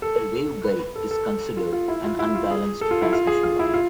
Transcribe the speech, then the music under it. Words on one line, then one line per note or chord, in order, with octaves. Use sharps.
A waveguide is considered an unbalanced transmission line.
A4
B4
B4
A4
A4
F4
F4
E4
F4
E4
F4
G#4
A4
F4
E4
F4
G#4
F4
E4
F4